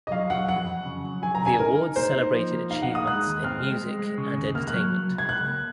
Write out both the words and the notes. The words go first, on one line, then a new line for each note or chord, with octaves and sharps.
The awards celebrated achievements in music and entertainment.
D#5
F#3 F5
F#3 F#5
F2 F#5
F2
C#3
F#3
F#3 G#5
A#5
C#3
G#5
D#4 A#4
D#4
A#3 C5
D#4
F3
A#3
D#4 F5
F#5
D#4
D#6
G#3 F#6
D#2
C4 F6
G#3
G#3
G#3
C#3
D#2
A#3 F6
F#6
F#3
F#3
C#2
G#6
C#2 F#6
A#3